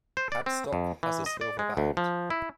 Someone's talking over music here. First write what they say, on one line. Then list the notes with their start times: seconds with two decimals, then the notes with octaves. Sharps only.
Hadstock has a silver band.
0.17 C5
0.32 D5
0.46 C4
0.73 F2
1.03 E3
1.26 D#5
1.41 D5
1.59 G#3
1.77 D2
1.97 F3
2.30 E4